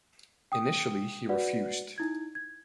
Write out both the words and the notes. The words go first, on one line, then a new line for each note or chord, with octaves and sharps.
Initially he refused.
G5 D#6
F#4 B4 D5 F#5
D#4 E4 G#6
G#6